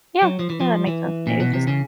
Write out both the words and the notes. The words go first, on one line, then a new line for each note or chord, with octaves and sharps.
Yeah. No, that makes sense maybe just
F#3
F3
E3
F3
E3
A#2
B2
C3
C#3